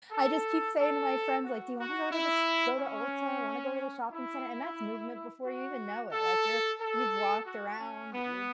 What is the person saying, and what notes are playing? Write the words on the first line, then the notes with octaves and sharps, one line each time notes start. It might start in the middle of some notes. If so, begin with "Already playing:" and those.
I just keep saying to my friends, like, "Do you wanna go to the st go to Ulta? Wanna go to the shopping center?" And that's movement before you even know it, like, you're you've walked around, you've
A4
A4
F#4
F#4
E4
C#4
E4
F#4
A4
A4
F#4
C#4
B3